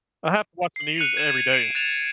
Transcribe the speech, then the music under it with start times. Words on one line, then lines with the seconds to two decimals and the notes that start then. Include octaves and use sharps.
I have to watch the news every day.
0.76 C7 F#7
0.96 F#6 C#7 D#7 F7
1.17 G#6 E7
1.52 C7 D7
1.75 F#6 A6 E7 F7